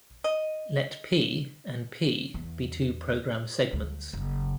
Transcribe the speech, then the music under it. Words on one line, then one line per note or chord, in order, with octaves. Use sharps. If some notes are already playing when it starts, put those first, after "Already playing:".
Let "P" and "P" be two program segments.
D#5
E2
D2
F#1